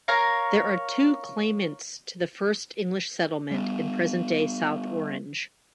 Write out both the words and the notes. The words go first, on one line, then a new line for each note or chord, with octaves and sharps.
There are two claimants to the first English settlement in present-day South Orange.
A#4 C#5 F5 A#5
G3 B3